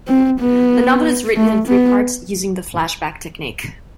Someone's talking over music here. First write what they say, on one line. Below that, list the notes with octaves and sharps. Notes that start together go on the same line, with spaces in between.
The novel is written in three parts, using the flashback technique.
C4
B3
A3
B3